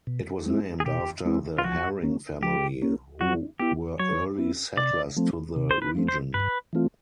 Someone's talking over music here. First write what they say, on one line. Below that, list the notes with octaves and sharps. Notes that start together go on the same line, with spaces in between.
It was named after the Haring family, who were early settlers to the region.
B2
G#3 C4 E4
G#4
B2 G4
G#3 C4 E4
F4
F3 F#4
A#3 C#4
F3 G4
A#3 C#4
F#3 F#4
B3 E4 G4
F#3 C#5
B3 E4
C3 D5
F3 A3 C4
C3
C5
B4
F3 A3 C4
C5
G2 B4
E3 A3 C4 F4